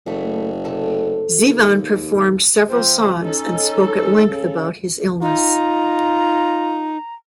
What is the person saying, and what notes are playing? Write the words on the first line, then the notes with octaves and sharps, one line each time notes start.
Zevon performed several songs and spoke at length about his illness.
F#1 E3 A3
C3 A3 A4
D#2
F3 C4 C5
C#4 D#4 A4
C#3
D#4 F4 A#5